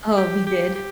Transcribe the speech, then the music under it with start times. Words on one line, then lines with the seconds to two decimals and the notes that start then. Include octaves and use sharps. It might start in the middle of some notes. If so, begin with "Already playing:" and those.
Oh, we did.
0.17 G4
0.46 G4
0.75 G4